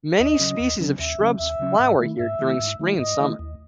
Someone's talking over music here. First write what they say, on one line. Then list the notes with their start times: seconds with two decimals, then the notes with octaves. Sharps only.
Many species of shrubs flower here during spring and summer.
0.19 D#2 D#5
0.40 C#3 F#3 C#4
0.59 D#2
0.79 C#3 F#3 C#4
0.99 D#2 E5
1.19 C#3 F#3 C#4
1.39 D#2 E5
1.60 C#3 F#3 C#4
1.80 G#2
1.99 D#3 A3 E4
2.19 G#2 E5
2.39 D#3 A3 E4
2.59 G#2
2.79 D#3 A3 E4
2.99 G#2 D#5
3.19 D#3 A3 E4
3.39 D#2